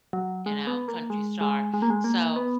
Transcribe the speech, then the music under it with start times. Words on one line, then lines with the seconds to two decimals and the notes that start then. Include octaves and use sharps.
you know, country star." So,
0.13 F#3
0.46 G#3
0.67 B3
0.88 A#3
1.10 G#3
1.41 G#3
1.74 G#3
1.82 A#3
1.90 G#3
2.04 A#3
2.36 B3